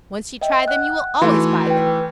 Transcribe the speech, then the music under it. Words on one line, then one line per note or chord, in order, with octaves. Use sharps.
Once you try them, you will always buy them.
D#5 E5 G5
F#5 F#6
E3 A3 D#4 F#4 C6
B4 G5